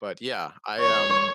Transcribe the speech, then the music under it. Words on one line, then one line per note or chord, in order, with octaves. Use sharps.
But, yeah, I, um,
C#5